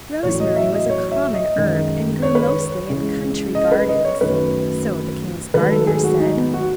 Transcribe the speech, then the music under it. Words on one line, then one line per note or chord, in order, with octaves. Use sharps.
Rosemary was a common herb and grew, mostly, in country gardens, so the king's gardeners said.
A1 A2 F#3 C#5
D#5
E5
D#5
C#5
E5
D#5
F#2 D#3 G#3
C#5
B4
C#5
C#2 C#3 E3 G#3
D#5
B4
D#5
C#5
F#2 D#3 F#3 A3 B4
G#1 G#2 F#3 A3 B4
A4
G#4
F#4
D#4
B3
F#4